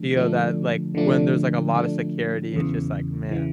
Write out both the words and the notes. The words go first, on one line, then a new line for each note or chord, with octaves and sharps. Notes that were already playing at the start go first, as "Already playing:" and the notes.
feel that, like, when there's, like, a lotta security, it's just like, "Man,
Already playing: D3 F3 A3 D4
D3 F3 A3 D4
D3 F3 A3 D4
D3 F3 A3 D4
E2 C#3 E3
C#3 E3